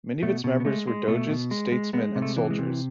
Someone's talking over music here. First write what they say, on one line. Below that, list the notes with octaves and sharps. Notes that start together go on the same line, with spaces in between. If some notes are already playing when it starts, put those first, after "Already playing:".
Many of its members were doges, statesmen, and soldiers.
B2 A3
B2
B3
G#3 A3
G#3
B2 A3
B2
G#3
G#3
G#3 B3
C3
A3
E3
G#3
C3